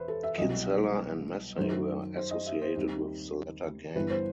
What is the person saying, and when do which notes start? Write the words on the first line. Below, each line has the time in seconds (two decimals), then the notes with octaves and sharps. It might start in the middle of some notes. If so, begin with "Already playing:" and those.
Kinsella and Massey were associated with the latter gang.
Already playing: E1 B4 C5 E5
0.08 A4
0.23 E5
0.38 C2 B2 F#3 D#5
1.57 F#2 D#3 F#3 C5
2.17 C5
2.31 D#5
2.46 E5
2.62 C5
2.76 D#2 D#3 G3 C4 D#4 G4
3.95 G1 G2 E3 B3 E4 B4
4.10 C5